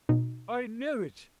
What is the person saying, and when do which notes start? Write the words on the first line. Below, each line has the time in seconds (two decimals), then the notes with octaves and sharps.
'I knew it!
0.09 B2 D#4